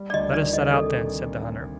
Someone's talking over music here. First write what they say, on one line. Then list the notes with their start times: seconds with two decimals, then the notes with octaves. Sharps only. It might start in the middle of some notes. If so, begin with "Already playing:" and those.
"Let us set out, then!" said the hunter.
Already playing: G3
0.10 D5
0.13 D2 D#5
0.33 D#3 D5
0.53 D#3 D#5
0.73 C3 A4